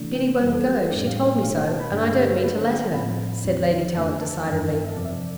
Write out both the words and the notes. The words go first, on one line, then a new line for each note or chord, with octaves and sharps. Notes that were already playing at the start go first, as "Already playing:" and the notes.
'Biddy won't go, she told me so, and I don't mean to let her,' said Lady Tallant decidedly.
Already playing: C3 E3 A3 D4
G5
F2 E3 G3 B4
A4
G4
A4
A2 G3 D4 D5
F5
F5
B2 A3 D4 F5
F5
A5
B5
G2 D3 A3 D4 G5
F5
G4
G4
D3 A3 D4 B4
A5
G5
A5
A2 F3 C4 B5
E2 D3 F3 C4
F2 D3 A3 D4 A5
A5
A5
G2 E3 B3 D4 A5
A5
F5
E5
F2 C3 F3 C4 D5
E5
D5